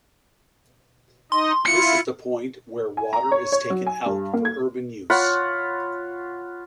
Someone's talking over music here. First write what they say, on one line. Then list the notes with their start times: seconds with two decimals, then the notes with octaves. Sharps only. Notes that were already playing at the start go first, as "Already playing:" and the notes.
This is the point where water is taken out for urban use.
1.32 D#4 D#5 C6
1.65 E4 F4 C#7
2.97 G#5
3.13 A#5
3.31 C#5
3.52 C#5
3.70 F#3
3.87 G#5
4.06 G2
4.33 A#3
4.45 G#6
5.10 F4 C#5 F#5 B5